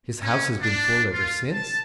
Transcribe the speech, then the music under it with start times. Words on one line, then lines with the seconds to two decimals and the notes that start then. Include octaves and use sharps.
His house has been full ever since.
0.22 C#4
0.61 D4
1.13 F4
1.52 A5